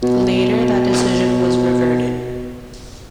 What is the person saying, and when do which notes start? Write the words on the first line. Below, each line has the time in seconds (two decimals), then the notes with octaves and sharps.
Later that decision was reverted.
0.03 B2